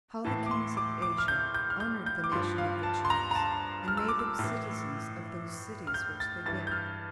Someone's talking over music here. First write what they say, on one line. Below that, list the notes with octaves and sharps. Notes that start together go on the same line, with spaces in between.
How The Kings Of Asia Honored The Nation Of The Jews And Made Them Citizens Of Those Cities Which They Built.
A2 E3 A5
D6
C6
D6
D6
F6
G6
G6
F6
G6
G6
D6
G2 F3 C6
F5
A5
C6
A#5
A#5
A5
F6
E6
D6
E6
A2 E3
F6
G6
A6
G2 E3 A6
G6
F6